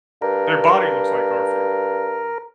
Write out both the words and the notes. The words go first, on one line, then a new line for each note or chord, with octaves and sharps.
their body looks like Garfield.
G2 A#4